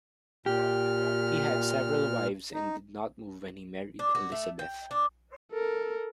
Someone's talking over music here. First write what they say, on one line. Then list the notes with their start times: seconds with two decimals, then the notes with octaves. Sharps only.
He had several wives and did not move when he married Elisabeth.
0.46 A#2 G4 F6
2.54 D#4
3.99 D4
4.15 F#4
4.32 A3
4.59 G5
4.91 D4
5.52 A4 A#4